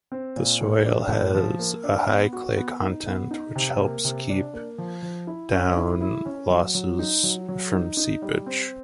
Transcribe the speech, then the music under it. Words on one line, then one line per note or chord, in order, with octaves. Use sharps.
The soil has a high clay content which keeps down losses from seepage.
C4
A#2
A2
D4
A2
F3
A#3
D4
B3
F#4
B3
D#4
B3
D#4
C3
A#3
C3
D4
A#3
F3
F3
E4
C#4
E4
E4
C#4
F#3
F#3
D#4
F#3
F#3
D#4
D#4
G3
C4